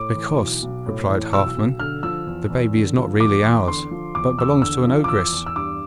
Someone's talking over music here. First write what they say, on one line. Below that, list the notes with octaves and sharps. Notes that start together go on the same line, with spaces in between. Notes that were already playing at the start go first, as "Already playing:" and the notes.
'Because,' replied Halfman, 'the baby is not really ours, but belongs to an ogress.'
Already playing: A2 D6
E3
B1
B1
A2
E3
B1 E6
B1
D3 F6
F3 E6
E2
E2
D3
F3
E2 D6
E2
D3 C6
F3
E2 D6
E2 E6
D3 E6
F3
D6
E2 E6
E2
E6
G2 D6